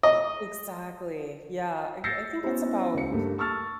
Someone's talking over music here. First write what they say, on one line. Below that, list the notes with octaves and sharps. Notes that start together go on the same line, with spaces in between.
Exactly, yeah, I I think it's about
D#5
E6 G6 A6 A#6 C7 C#7
B3 C#4 E4 F#4 C5
C#2 C#7
G2 A3 A#3
A5 C#6 E6 F6 A6